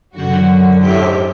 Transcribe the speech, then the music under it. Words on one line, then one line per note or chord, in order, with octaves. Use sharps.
Mhm, wow.
F#2 D3 F#3 F#4
G4